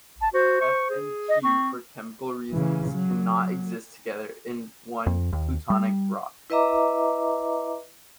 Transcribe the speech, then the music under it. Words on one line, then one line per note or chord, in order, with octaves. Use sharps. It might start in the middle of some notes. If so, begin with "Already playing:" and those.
F and Q for chemical reasons can not exist together in one plutonic rock.
A5
F#4 C5
C#6
G#4
D#5
C4 C#6
C#3 E3
F#3
F2
D#2
G3
E4 B4 D#5 E5 A#5 D6